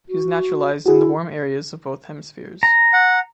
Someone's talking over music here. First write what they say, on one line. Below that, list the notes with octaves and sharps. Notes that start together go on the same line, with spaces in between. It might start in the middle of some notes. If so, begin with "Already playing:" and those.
He was naturalized in the warm areas of both hemispheres.
F#4
E4 F#4 G#4
A#5
F#5